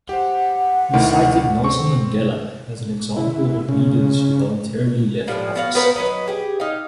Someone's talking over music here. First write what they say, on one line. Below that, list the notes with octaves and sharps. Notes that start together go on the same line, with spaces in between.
He cited Nelson Mandela as an example of leaders who voluntarily left office.
G4 C5 F#5
D2 D#3 E4
C4 C#6
E4
C#3
A2 F3 G3
B3 F#4 F5
B3 C4 A#4 B4
F#3 B4 D#5
G4 G#4
D#4 F5